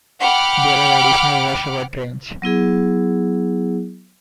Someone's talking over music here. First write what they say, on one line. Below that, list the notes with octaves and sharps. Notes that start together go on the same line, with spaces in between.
There are additional rush-hour trains.
F#5 G5 B5 D6 F6
F#3 B3 E4 G#4